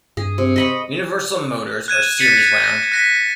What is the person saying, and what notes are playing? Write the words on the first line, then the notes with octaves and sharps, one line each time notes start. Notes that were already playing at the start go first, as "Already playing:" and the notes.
Universal motors are series wound.
G2 G#4
C3
D#5 B5 C#6
F#6 G#6 D#7 E7
A6 B6 C#7 D#7
A#6
F#6 A#6 B6